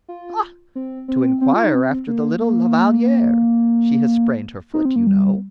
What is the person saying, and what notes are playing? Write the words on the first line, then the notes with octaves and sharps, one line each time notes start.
"Ah, to inquire after the little La Valliere; she has sprained her foot, you know."
F4
C4
C4
C4
F4
D#4
C4
A#3
A#3
D#4
C4
A#3
G3